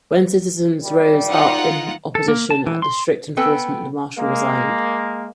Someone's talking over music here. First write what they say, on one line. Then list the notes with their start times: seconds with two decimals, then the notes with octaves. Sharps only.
When citizens rose up in opposition at the strict enforcement, the marshal resigned.
0.82 G#1 G3
1.29 D#4 F4 F#5
2.15 A4
2.28 A#3
2.51 A5
2.66 E3
2.82 C6
3.37 B3 C4 A4 B4 G5 G#5
4.19 G#3 A#3